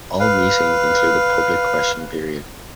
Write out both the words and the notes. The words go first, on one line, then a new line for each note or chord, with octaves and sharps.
All meetings include a public question period.
B4 F5